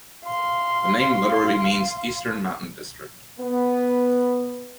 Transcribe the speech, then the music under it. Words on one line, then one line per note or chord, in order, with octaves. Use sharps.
The name literally means "Eastern Mountain District".
F5 C6
B3